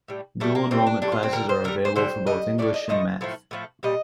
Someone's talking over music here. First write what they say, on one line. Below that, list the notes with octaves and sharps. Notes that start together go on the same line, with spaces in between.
Dual Enrollment classes are available for both English and Math.
A2 G3
A2 G3 A3
A#3
A2 G3 C4
D4
A2 G3 D4
F4
C4
D3 G3 A#4
C5
D3 G3 A#4
C5
D3 G3 C5
D3 G3 D#5
A2 F3 A3 D5
D#5
A2 F3 A3 D#5
A2 F3 A3
A2 F3 A3
A#2 G3 D#5